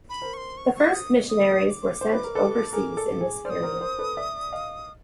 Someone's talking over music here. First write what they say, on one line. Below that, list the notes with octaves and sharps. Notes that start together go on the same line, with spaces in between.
The first missionaries were sent overseas in this period.
B5
A#4 C5
C#6
C6
C#6
C#6
D#6
D#6
D#6
D6
C5
B4
A#4
A4 B4
G#4 A#4
A4
G#4
C5 D5 F6
D#6
A#4 C5
A#4 C5
A4 B4
D5 E5
D#5 F5